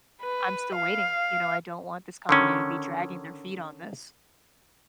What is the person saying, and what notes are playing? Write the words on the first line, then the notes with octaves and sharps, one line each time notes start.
I'm still waiting. You know? I don't want this company to be dragging their feet on this.
B4
F5
D3 D#3 C#4